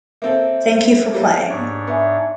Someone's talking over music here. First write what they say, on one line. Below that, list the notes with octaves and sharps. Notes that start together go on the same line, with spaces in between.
Thank you for playing.
A#3 C4 A4 C5 C#5 E5
F#3 G3 A#3
G#2 D4 C#5
B3 D5 E5 G#5